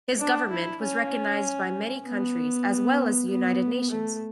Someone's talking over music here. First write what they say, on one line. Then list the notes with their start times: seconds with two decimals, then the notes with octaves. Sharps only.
His government was recognized by many countries, as well as the United Nations.
0.20 D4
0.51 E4
0.82 C#4
2.06 B3
3.28 B3
3.90 A3